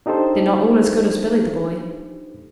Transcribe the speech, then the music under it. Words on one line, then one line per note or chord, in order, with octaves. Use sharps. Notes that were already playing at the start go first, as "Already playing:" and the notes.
They're not all as good as Billy the Boy.
D4 D#4 G4 A4 C5